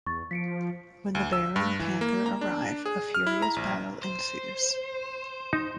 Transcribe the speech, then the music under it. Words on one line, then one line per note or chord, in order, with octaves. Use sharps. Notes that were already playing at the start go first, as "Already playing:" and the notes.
When the bear and panther arrive, a furious battle ensues.
E2 C#6 A6
F3 B6 C#7 D7
D2
E6
G2
E3
A#3
A#5
D4
G#4
F6
E4
A#5
A#1
C5
D#4